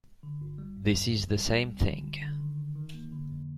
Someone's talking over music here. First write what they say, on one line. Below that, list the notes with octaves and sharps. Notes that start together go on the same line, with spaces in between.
This is the same thing.
D3
G1
G3
G2
D#2
D#2
G3
C2
G3
D3
G1
D3
D#3
D#3
D#3
A#3
D3
F2